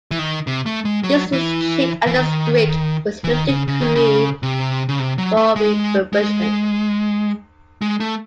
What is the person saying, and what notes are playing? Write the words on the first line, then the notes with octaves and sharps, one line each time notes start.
This was achieved, and the 'Streak' was moved to Crewe for refurbishment.
E3
D#3
C3
A3
G#3
F#3
E3
E3
D#3
E3
D#3
C#3
C#3
D#3
C#3
C3
C#3
C3
F#3
A3
G#3
G#3
G#3
A3